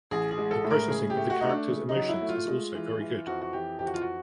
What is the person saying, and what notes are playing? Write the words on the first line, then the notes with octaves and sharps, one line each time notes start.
The processing of the characters’ emotions is also very good.
A1 G#4
G#4
G#3
A4
A2
A#4
C#3 G#4
G4
A3
F#4
A3 D#4
D4
C#3
D#4
F#3
E4
A3
F4
G#3
E3
E3
F2 F#4
F#4
E3 G4
F2 G4
F#4
F4
F#4